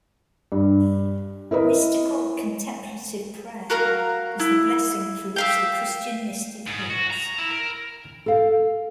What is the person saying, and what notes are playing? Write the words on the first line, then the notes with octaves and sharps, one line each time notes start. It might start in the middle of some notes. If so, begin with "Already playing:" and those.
Mystical Contemplative Prayer is the blessing for which the Christian mystic hopes.
G2
E4 A#4 B4 D#5
F#4 A#4 F5 A#5
E4
E5 F5 G5
G#2
F#4
A#5
E4
A#4
A4 F5